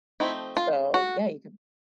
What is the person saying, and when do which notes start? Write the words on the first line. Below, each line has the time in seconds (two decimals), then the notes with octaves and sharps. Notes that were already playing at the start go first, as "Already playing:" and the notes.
so, yeah, you could
0.20 F3 A3 C4 D#4 E4
0.57 F4
0.94 F#4